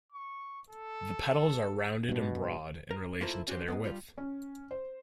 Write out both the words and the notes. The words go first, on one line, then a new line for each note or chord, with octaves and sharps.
The petals are rounded and broad in relation to their width.
C#6
A4
G2 B2
A#4
A#3 E4 F4 A4 A#4 C5
C#4 F#4 G4 C5
G#2 G#3 B3
G2 G3 F4
C#4
C5